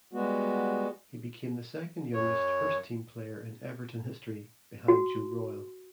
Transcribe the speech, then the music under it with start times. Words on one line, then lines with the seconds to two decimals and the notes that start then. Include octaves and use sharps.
He became the second youngest first-team player in Everton history behind Joe Royle.
0.13 G3 G#3 B3 F#4
2.13 F#2 C#5
4.88 F#4